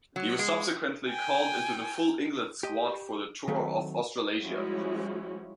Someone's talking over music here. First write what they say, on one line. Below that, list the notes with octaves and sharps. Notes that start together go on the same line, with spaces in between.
He was subsequently called into the full England squad for the tour of Australasia.
F#3
G#3
G5 G#5
G4 D#5
D#3 F#3 A3 C4
F3 G3 G#3 C#4 E4 F#4